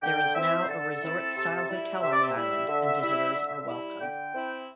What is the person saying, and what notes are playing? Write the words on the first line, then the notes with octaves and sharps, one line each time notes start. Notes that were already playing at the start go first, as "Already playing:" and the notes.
There is now a resort style hotel on the island and visitors are welcome.
D3 G5
C4 E4 E5
C5
D3 A4
C4 E4
C3
G3 E4
C3 E5
D5
E5
G3 E4
D3
G3 E4
D3
G3 E4
D3 G5
C4 E4